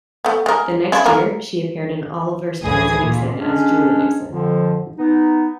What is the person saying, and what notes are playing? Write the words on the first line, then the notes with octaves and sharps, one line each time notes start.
The next year, she appeared in Oliver Stone's "Nixon" as Julie Nixon.
A3 B3
G#3 A#4
C#3 E4
A3 A#3 A#4
D2 A2 E3 G#4 D#6 G#6
A#2
G#3 C#4 D4
F2 D3 F3
B3 D#4